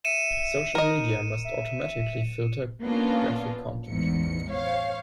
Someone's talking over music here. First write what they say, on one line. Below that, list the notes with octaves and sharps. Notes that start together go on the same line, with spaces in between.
Social media must automatically filter graphic content.
E5 C#7 D#7 E7
D#4 A#4 D#5
E5
A#3 B3 C#4 D4 F4
A1 E2 G#2 C#7
C5 C#5 F5